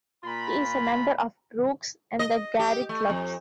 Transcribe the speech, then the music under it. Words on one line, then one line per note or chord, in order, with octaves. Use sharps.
He is a member of Brooks's and the Garrick Clubs.
A#2 F4 A#5 B5
D#5
G4
A3
F2